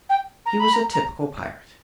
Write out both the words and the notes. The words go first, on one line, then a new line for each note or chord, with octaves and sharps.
He was a typical pirate.
G5
A#5
B5
A#5
A#5